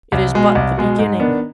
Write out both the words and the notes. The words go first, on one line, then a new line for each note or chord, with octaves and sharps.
It is but the beginning!
C2
B2 G#3
C2
B2 G#3
G#2
D#3 B3 D4